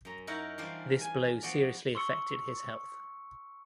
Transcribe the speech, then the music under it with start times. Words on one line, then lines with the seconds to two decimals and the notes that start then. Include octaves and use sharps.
This blow seriously affected his health.
0.05 F#2 A#5
0.27 D#4 E4 F#4 A#4 F#5
0.58 E3 G3 D4 F4 C5
1.01 G#5
1.43 F3 B3 F#4 D5
1.95 C6 C#6 E6 C#7